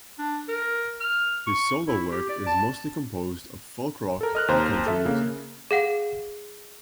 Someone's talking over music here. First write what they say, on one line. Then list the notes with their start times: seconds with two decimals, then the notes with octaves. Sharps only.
His solo work is mostly composed of folk rock and country music.
0.19 D4
0.48 A#4
1.01 F6
1.47 C#6
1.88 E4
2.11 G4
2.29 D5
2.47 A5
4.21 A4 A#4
4.35 D#5 F6 F#6
4.48 D#2 C5 A#5
4.86 A4 E5
5.05 C#3 A#3
5.71 G#4 F5 F#5